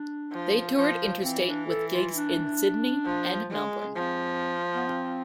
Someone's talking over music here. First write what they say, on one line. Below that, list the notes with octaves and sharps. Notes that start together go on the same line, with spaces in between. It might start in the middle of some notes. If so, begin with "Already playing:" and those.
They toured interstate with gigs in Sydney and Melbourne.
Already playing: D4
F3
F3
E3 C4
D4
A4
F4
D4
F3
G#3
F3 C4
B3
C4